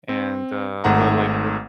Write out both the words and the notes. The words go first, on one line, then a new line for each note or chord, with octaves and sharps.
and, uh but, like, with
C4
G#1 G#2 A3 F#5 A#5